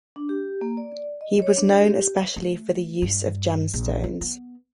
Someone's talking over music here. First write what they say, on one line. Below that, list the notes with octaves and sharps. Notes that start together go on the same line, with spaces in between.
He was known especially for the use of gemstones.
D4
G4
A#3
D5
D#5
C#5
D4
G4
A3
G2
A#1
F4
B3